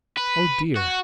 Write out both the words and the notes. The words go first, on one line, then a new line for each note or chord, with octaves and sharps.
Oh dear!
B4
F#4